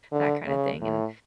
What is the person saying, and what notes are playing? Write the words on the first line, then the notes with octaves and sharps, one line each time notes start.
that kinda thing, and
D3
C#3
A2